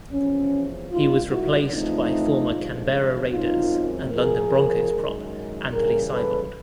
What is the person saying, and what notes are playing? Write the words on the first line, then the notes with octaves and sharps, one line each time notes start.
He was replaced by former Canberra Raiders and London Broncos prop Anthony Seibold.
E2 C3 F3 C#4
G#2 D#3 G3 D#4 F4
E4 F#4
F2 C#3 E3 A3 C4 D#4 F4
G2 D3 F3 G#3
F#2 D#3 G#3 C4 D#4 F4
F2 C3 F3 G#4 A#4
F#2 D#3 G#3
C#3 E3 G3 G#4 A#4
A4 B4